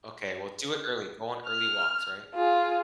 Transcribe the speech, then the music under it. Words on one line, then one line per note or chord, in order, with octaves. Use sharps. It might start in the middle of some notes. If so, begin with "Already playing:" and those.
Okay, well, do it early. Go on early walks, right?
F6
F4 G#4